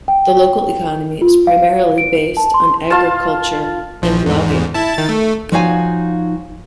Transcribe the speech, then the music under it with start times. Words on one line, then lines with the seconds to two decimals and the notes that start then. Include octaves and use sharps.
The local economy is primarily based on agriculture and logging.
0.08 G5
1.22 F4
1.47 F5
1.63 F5
1.98 D7
2.37 A5
2.54 C6
2.90 F4 F5 A5
4.02 A#1 F3
4.26 E2 G#2
4.74 E4 A5
4.94 D#3 A6
5.09 A3
5.52 F3 D#4 F#4 C#5 F5 G#5